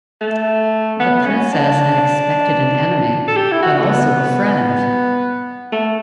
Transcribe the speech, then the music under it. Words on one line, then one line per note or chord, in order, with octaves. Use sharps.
The Princess had expected an enemy, but also a friend.
A3
B3
C#4
D4
A4
G4
E4
F#4
A3
B3
A3